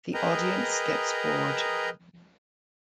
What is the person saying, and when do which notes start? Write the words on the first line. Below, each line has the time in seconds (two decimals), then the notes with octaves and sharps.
The audience gets bored.
0.14 G#4 A#4 B4 D#5 G5 A#5